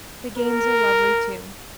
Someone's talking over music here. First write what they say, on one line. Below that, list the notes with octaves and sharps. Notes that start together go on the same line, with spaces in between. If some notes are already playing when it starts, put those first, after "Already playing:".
The games are lovely, too.
A#4